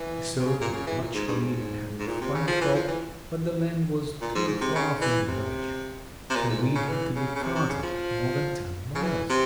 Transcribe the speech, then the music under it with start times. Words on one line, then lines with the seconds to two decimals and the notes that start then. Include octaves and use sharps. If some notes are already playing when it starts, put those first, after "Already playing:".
He sowed much wheat and had a fine crop, but the land was too far from the village--the wheat had to be carted more than ten miles.
Already playing: E3
0.39 C3
0.47 C#3
0.61 A#2
0.74 C#3
0.87 E3
1.01 A#2
1.14 G#2
1.28 G2
1.41 G#2
1.99 G#2
2.07 A#2
2.21 C3
2.34 C#3
2.47 F3
2.61 E3
2.75 F3
2.88 E3
4.21 A#2
4.35 G#2
4.48 G#2
4.61 C3
4.75 C#3
5.01 E3
5.28 C3
6.30 C3
6.35 A#2
6.49 G#2
6.62 A#2
6.75 C#3
6.88 E3
7.15 C#3
7.36 C#3
7.43 C3
7.55 C3
7.69 C#3
7.83 F3
8.95 C#3
9.02 E3
9.29 C3